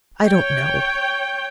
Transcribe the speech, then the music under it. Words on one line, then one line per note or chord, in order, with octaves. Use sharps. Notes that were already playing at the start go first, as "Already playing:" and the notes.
I don't know.
C#5 G5